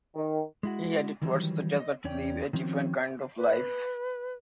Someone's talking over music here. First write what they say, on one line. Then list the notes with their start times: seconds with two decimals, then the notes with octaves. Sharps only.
He headed towards the desert to live a different kind of life.
0.15 D#3
0.63 G#3 E4 F#4
1.22 D#3 E3 F#3 G3
1.77 D5 D#5
2.04 E2 C#4 C#5 D5 G5
2.53 D#3 F3 C4 C#4 F#4
3.38 B4